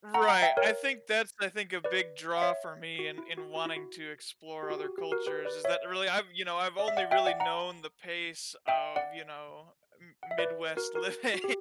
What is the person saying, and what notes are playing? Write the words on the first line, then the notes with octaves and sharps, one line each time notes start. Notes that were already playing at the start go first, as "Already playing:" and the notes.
Right, I think that's I think a big draw for me in in wanting to explore other cultures is that really I've you know, I've only really known the pace of, you know, M Midwest living
F#5 A#5
F#5 A#5
E5 G5
A#4 C#5
B4 D5
F#5
C#5 E5
F#4
E4
F#4
F#4
E4
F#4
G4
F#4
G4
F#4
G4
F#4 A#4
G4 B4
B4 D5
C#5 E5
D5
E5
D5 F#5
E5 G5
D5 F#5
F#5 A#5
E5 G5
D5 F#5
F#5
E5
B4 D5
F#4 A#4
F#4 A#4
F#4
G4